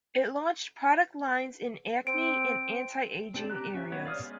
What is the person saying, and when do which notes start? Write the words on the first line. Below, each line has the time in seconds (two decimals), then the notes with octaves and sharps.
It launched product lines in acne and anti-aging areas.
2.07 C4 D7
3.34 C4 D4 G4 A5
3.50 G4 A#5 F#6
3.75 C#4 E5
3.92 F#3 B3 C#5
4.05 D5 F5 D#6 F6
4.24 G#3